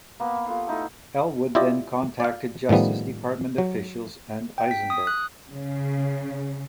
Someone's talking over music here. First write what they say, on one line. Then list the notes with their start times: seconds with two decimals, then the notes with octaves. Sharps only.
Elwood then contacted Justice Department officials and Eisenberg.
0.20 A#3 B3 B4
0.46 F4 G4 A4 F5
0.68 A3 D#4 E4 A4
1.55 E4 F4 G4 D5 D#5
2.20 D5 F5
2.69 A2 D#3 F3 G3 B3
3.58 F#3
4.58 G5
4.71 B6
4.90 D#6
5.07 F#6
5.51 C#3